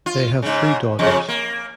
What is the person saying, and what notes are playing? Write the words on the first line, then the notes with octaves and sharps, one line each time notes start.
They have three daughters.
F4
G#2 C#3
F2 C#3
A#3